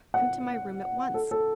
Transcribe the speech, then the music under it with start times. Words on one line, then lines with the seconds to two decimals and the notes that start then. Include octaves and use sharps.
Come to my room at once.
0.14 F#5
1.14 A4
1.31 A4